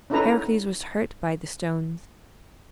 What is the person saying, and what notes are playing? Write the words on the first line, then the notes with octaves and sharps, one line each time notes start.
Heracles was hurt by the stones.
C#4 D#4 E4 A4 B4 A#5